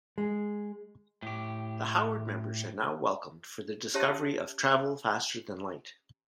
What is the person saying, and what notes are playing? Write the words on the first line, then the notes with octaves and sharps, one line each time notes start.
The Howard members are now welcomed for their discovery of travel faster than light.
G#3
A2 G4
C#4 G4 C#5 E5 A5 C6